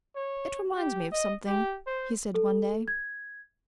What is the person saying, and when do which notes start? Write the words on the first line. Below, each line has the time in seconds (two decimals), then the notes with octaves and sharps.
"It reminds me of something," he said one day.
0.16 C#5
0.76 G4
1.12 D#5
1.47 G4
1.87 C5
2.34 A4
2.88 G#6